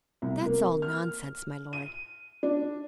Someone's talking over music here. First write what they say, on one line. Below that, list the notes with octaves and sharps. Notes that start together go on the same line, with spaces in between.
"That's all nonsense, my lord."
C2
A#3
F6
D#7
D4